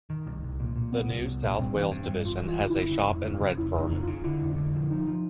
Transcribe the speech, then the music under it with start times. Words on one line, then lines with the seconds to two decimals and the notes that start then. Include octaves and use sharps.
The New South Wales Division has a shop in Redfern.
0.10 D#3
0.27 C2
0.43 C2
0.60 A#2
0.76 A#2
0.92 C2 B3
1.09 C2
1.26 C2
1.42 A#2
1.59 G2 C4
1.76 E3 C4
1.91 G2
2.03 C4
2.08 G2
2.25 G1 F4
2.42 E3
2.47 F4
2.58 G1
2.69 G1 E4
2.91 C#3
3.09 F1
3.25 C#3
3.41 C#3
3.58 F1 E4
3.75 F1 D#4
3.91 C#3
4.02 F4
4.07 C#3
4.24 D3 E4
4.40 F1
4.57 D3
4.74 F3
4.90 F3 D#4
5.07 F3